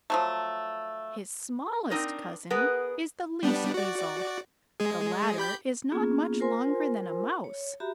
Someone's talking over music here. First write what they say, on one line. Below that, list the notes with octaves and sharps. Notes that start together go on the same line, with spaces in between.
His smallest cousin is the Least Weasel. The latter is not much longer than a Mouse.
F3 F#3 A3
C4 D4 D#4 A#4
B3 G#4 A#4 B4
G3 B3 D4
F#4 D5
G#3 G#4
G4 B5 G6
A#3 B3 C#4 F4 G#4
F4 A#4 C5 G#5 C6
C#5
F#4 G4 E5 A#5 B5